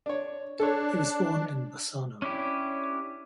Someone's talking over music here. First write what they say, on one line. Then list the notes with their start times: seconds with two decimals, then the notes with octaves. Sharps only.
He was born in Bassano.
0.06 D4 C#5
0.60 D4 A4 C#5
2.22 C#4 D4 E4 G4